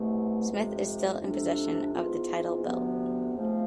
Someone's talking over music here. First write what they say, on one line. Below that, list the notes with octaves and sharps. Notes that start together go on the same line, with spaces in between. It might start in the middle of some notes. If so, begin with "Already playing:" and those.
Smith is still in possession of the title belt.
Already playing: C2 B2 A3
F2 C3 G#3
F2 C3 G#3 D4 A4
G#2 E3 B3 F4
D2 C3 F3 B3
G#2 F3 A3 C4 F4